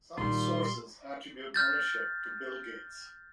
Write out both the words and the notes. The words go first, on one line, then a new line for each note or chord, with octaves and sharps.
Some sources attribute ownership to Bill Gates.
A#2 D#3 G3 D4 F4 C6
F6 G6 A6